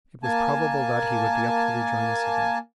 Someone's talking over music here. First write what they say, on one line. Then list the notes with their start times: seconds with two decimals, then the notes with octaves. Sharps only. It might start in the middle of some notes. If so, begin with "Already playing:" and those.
It was probable that he would be up to rejoin us again.
0.23 A#3 G#5 A5